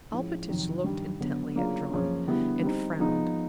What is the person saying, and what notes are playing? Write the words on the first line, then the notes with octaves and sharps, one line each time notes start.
Alpatych looked intently at Dron and frowned.
A2 F3 G#3 C#4
F2 C3 D#3 F#3
G2 D#3 G3
D3 F#3 B3
C#3 F#3 A#3 D4 F4
F#2 C#3 F3 A#3 C#4
D3 G3 B3 E4
G3 C4 D#4
F3 G#3 B3 D#4